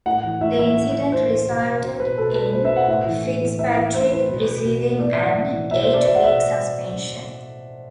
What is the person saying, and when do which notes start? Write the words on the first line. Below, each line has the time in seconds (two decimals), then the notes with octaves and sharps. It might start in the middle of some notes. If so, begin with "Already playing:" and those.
The incident resulted in Fitzpatrick receiving an eight-week suspension.
0.06 A2 F#5
0.24 E3
0.41 A2 E5
0.58 E3 E5
0.77 A2
0.94 E3
1.12 A2 C5
1.29 E3
1.47 B2
1.82 B2 C5
2.00 B4
2.18 B2 A4
2.35 B4
2.53 B2 C5
2.65 E5
2.76 F#5
2.88 A2 E5
3.06 E3
3.23 A2
3.41 E3
3.59 A2 E5
3.77 E3
3.94 A2 C5
4.12 E3 B4
4.29 B2
4.65 B2
5.00 A2 D5
5.12 E5
5.18 E3
5.24 F#5
5.35 A2
5.53 E3
5.71 B2 E5
5.82 C5
5.94 D5
6.06 B2 E5
6.15 F#5
6.24 E5